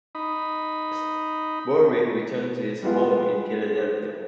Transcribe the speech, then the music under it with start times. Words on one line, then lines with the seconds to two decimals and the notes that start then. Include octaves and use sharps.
Borie returned to his home in Philadelphia.
0.15 D#4 B5
2.83 G3 G#3 B3 F4